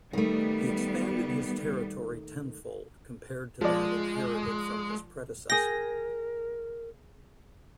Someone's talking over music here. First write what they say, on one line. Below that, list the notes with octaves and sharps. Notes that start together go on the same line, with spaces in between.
He expanded his territory tenfold compared to that inherited from his predecessor.
D#3 G3 A3 B3
F3 G#3 D5
G#4 A#4 G5 A#6